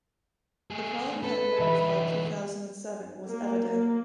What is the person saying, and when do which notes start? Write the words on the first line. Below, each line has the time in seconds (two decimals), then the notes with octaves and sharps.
The problem that emerged by two thousand and seven was evident.
0.71 A3 G#4
1.24 A4 B4
1.60 D3 E3 D#5 E5 B5
3.27 A#3
3.70 A#3